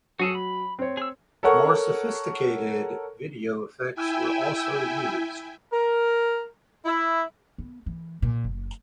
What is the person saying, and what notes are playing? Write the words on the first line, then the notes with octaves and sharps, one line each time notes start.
More sophisticated video effects were also used.
F#3 F#4 G#4 A4
B5
C4 C#5
G#4 E6
A4 A#4 C#5 F#5 C#6
E4 E5 G5 G#5
A#4
E4
B3
E3
A#2
F#1